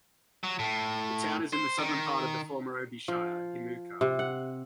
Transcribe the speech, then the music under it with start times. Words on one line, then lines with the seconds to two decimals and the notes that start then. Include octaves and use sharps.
The town is in the southern part of the former Obi Shire, Himuka.
0.44 F#3
0.59 A2
1.53 C5
1.78 D#3
3.08 F3
4.01 C3
4.19 F#5